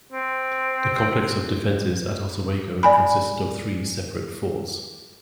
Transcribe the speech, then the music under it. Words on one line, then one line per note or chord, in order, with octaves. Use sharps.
The complex of defenses at Oswego consisted of three separate forts.
C4
D5 G#5 B5